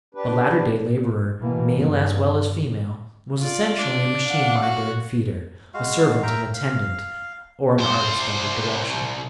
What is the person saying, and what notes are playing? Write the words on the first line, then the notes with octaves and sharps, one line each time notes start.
The latter-day labourer, male as well as female, was essentially a machine-minder and feeder, a servant and attendant, or an artist under direction.
D4 G4 B4
B2 E3 A#3
G2
F4 D5
D4
F5 F#5
F#4
G#3 F#4 F5
A#4 E5 G5 A#5
F5
C2 C5